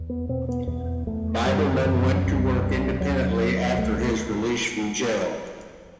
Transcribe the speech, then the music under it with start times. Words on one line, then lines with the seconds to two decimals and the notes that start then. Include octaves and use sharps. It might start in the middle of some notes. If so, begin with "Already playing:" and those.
Biberman went to work independently after his release from jail.
Already playing: E2
0.10 B3
0.29 B2 C4
0.49 B3
0.67 E2 B3
1.07 E2 A3
1.45 F#2 G3
1.72 D#3
1.85 F#2 E3
2.04 F#3
2.16 F#3
2.23 C2 G3
2.62 C2 G3
3.00 D#2 F#3
3.39 D#2
3.78 C2 A3
3.98 A3